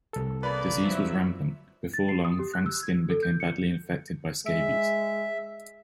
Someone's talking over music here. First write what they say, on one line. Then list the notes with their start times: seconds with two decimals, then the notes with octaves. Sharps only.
Disease was rampant; before long, Frank's skin became badly infected by scabies.
0.13 C2 A4
0.43 E2 A#3 B4 D5 B5
0.83 F3 F#3 E5
1.94 A6
2.09 C7
2.25 D#6
2.39 G4
2.54 F#6
2.66 E6
2.83 G#6
3.10 A4
3.23 G6
3.40 C#7
4.46 G#3 E5